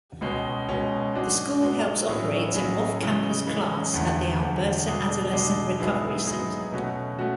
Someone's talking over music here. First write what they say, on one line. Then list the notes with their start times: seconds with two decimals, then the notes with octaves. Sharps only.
The school helps operate an off-campus class at the Alberta Adolescent Recovery Centre.
0.21 C#2 B2 G#3 C#4
0.68 C#2 B2 G#3 C#4
1.15 G#2 G#3 D4 F#4
1.61 G#2 G#3 D4 F#4
2.07 A2 F#3 C#4 E4 G#4
2.54 A2 F#3 C#4 E4 G#4
3.00 C#3 E3 G#3 C#4
3.46 C#3 E3 G#3 C#4
3.94 E2 D3 A3
4.39 E2 D3 A3
4.87 B2 G#3 D4 G#4
5.33 B2 G#3 D4 G#4
5.79 G#2 F#3 B3 E4 G#4
6.26 G#2 F#3 B3 E4 G#4
6.72 B2 A3 C#4 F#4
7.19 A3 C#4 F#4